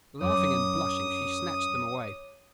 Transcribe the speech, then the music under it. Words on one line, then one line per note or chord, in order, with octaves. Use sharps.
Laughing and blushing, she snatched them away.
F#2 C#5 D6 D#6